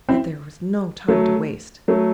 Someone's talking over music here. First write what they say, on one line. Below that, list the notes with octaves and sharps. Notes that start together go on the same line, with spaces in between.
Yet there was no time to waste.
C4 E4
F#3 A3
F#3 A3